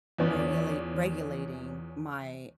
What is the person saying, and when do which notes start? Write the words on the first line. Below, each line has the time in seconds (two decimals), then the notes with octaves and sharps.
regulate regulating my
0.19 E2 F3 C#4 D5